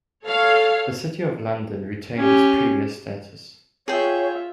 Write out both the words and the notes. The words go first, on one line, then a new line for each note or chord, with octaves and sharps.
The City of London retained its previous status.
A4 C#5 F5
C#4 G4
F4 G#4 C#5 E5 G5